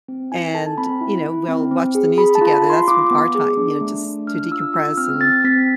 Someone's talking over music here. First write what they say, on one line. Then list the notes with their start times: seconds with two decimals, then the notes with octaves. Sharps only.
And, you know, we'll watch the news together. That's when our time, you know, just to decompress and
0.08 C4
0.32 E4 G#5
0.54 A4 A5
0.78 C4 B5
1.01 E4
1.24 E4
1.48 C4
1.71 C4
1.95 G#4
2.17 G#4 B5
2.35 A5
2.41 F4
2.53 B5
2.64 F4
2.70 C6
2.88 F4 D6
3.11 B3
3.35 G#4
3.57 D4
3.81 A3
4.04 D4
4.27 D4 F6
4.51 F4 E6
4.74 F4 E6
4.98 C4 F6
5.21 C4 A6
5.44 C4 B6